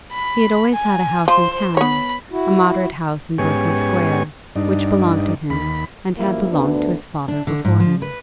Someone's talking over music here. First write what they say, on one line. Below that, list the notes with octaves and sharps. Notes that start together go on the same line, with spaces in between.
He had always had a house in town--a moderate house in Berkeley Square, which belonged to him, and had belonged to his father before him.
B5
G#5
F3 C5
B3 C#5 B5
E4 F#4
G#2 B3 C#4 G4 G#5 C#6
G2 D4 D#4
D#2 B5
F#2 E3 F3 G3 A#3 E4
D2 B3 D4
D4
D3
G#2
F3
B4